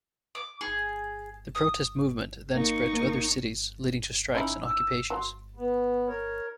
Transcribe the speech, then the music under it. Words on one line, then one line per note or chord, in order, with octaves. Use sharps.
The protest movement then spread to other cities, leading to strikes and occupations.
D6
G#4
D#6
A#3 D#4 C#6
A#3
C#4 D#4 E4
E6
F#3 C6
B3
A#4 C#5